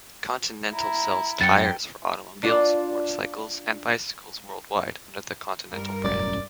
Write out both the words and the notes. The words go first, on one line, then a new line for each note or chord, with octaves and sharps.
Continental sells tyres for automobiles, motorcycles, and bicycles worldwide under the Continental brand.
E4 A#5
F#2 G5 A6 C#7
D4 F4 D5
G2 G3 A#4
E1 A1 F#2 D5